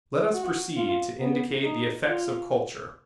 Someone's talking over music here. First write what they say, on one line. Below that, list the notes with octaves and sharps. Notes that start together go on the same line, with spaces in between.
Let us proceed to indicate the effects of culture.
F#4
F4
B3
D#4
F4